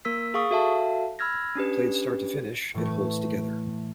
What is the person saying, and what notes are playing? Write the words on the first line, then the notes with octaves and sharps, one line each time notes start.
Played start to finish, it holds together.
A#3 A#4 E6 B6
G#4 F5 C#6 D#6
F#4 A4 E5 F5 A5
B5 E6 F6 G#6 A#6
C#4 D4 G4 B4
A2 E3 A3